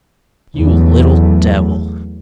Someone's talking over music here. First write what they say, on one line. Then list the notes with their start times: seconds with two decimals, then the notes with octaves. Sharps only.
"You little devil!"
0.56 E2 F#3 A3